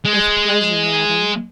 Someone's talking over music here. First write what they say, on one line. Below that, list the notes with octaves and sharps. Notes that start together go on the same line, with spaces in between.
"With pleasure, madam."
G#3